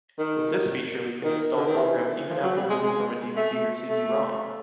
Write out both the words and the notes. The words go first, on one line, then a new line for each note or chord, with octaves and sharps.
With this feature we can install programs even after booting from a DVD or CD-ROM.
D#3
D#3
D3
D#3
E3
F3
F#3
G3
G#3
G#3
A3
A3